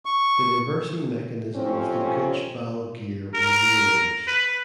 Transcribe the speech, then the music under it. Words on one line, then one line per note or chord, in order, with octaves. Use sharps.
The reversing mechanism of the Gooch valve gear was rearranged.
C#6
F2 C3 C4 C#4
A#4
B4